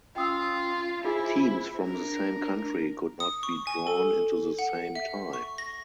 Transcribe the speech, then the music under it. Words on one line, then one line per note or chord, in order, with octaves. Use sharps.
Teams from the same country could not be drawn into the same tie.
C#4 F4 G5 D#6 E6
E4 F4 G#4 C5 G#5
D4 A#4
D#6
C#6
G#5
A4
F#5
E5
C#6
A#6